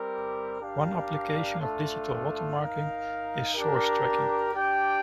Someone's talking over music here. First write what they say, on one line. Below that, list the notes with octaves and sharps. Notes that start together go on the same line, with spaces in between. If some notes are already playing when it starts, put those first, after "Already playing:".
One application of digital watermarking is source tracking.
Already playing: G3 C4 G4 A#4
D4 G4 A#4 D5 F5
A3 D4 F4 A4
D#4 A#4 F5
D4 G4 A#4
D4 G4 D5 G5